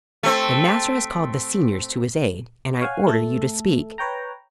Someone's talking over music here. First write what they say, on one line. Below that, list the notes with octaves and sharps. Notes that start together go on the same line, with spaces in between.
The master has called the seniors to his aid, and I order you to speak.
A3 C4
C#5 F5 F#5 G#5
A3 A4
B4 C#5 G5 A#5